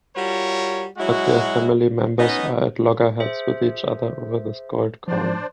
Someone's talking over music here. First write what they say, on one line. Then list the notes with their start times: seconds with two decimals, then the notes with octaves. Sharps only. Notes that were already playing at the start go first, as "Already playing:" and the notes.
But their family members are at loggerheads with each other over this gold coin.
0.16 G3 F4 F#4 A#4 C#5
0.98 F#3 G#3 E4 F#4
2.19 B3 C#4 D#4 D#5
3.20 G#4 C5 E5
5.08 F3 D4 C5 D5